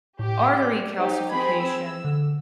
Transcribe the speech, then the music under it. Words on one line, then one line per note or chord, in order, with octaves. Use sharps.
artery calcification.
A2 G4
D5
D#4 G4 C5
C4 G#4 B5 G#6
E6
D3